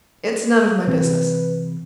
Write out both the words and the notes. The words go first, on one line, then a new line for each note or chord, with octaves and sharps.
It's none of my business.
C3 E3 C4 B4